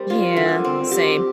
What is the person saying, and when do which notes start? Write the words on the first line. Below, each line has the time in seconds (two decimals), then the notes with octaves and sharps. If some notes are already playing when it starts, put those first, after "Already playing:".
Yeah, same.
Already playing: G3 C4 A#4
0.10 F4
0.37 D3
0.65 C4
0.91 G4